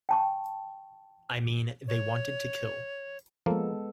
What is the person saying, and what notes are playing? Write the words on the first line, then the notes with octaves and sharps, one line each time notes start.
I mean, they wanted to kill.
G5 A5 C#6
C#5
F3 G#3 A#3 B3 A4